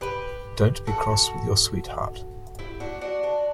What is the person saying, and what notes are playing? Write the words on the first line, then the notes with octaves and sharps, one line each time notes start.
Don't be cross with your sweetheart.
G4 B4
F#4 A4
E4 G4
D4 F#4
D4 F#4
D4 F#4